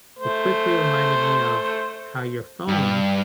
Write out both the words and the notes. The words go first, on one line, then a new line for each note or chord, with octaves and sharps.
it quickly reminded me of how your phone,
A3 C5
G2